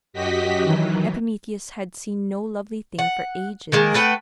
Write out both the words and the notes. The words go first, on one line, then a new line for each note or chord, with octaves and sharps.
Epimetheus had seen no lovely thing for ages.
F#2 F#4 G4 D#5 B6
D#3 E3 F#3
F#5
D#3 G#3 A#3
A3 B4 F#5 G5